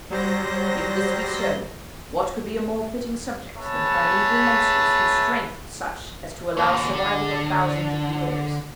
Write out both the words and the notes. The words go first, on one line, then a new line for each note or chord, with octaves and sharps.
If this be so, what could be a more fitting subject than primeval monsters whose strength was such as to allow a survival of thousands of years?
F#3 G3 C5 G6 A#6
B3 G#4 B4 C#5 E5 A5
D#2 G#2
D3